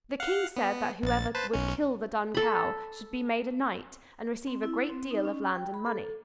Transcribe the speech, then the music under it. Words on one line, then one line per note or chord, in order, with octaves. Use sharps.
The King said that whoever would kill the Dun Cow should be made a knight and receive a great deal of land and money.
F5 F#5
B3
A#1 A6
B4 C5 A5
B1 C#4
A4 B5
C4
E4
C4
D#4
C#4
G5
B5
A4